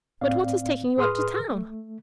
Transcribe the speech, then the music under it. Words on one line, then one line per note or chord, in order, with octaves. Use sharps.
But what is taking you up to town?
A2 C4 D5 F5
A2 G#4 B4 C6 D#6 F6
A3